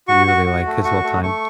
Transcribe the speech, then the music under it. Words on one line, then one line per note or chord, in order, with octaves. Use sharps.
usually, like, his whole time.
F#4 C#6
F#4
F#4
A3
F#4 C#6
A3
A3 C#6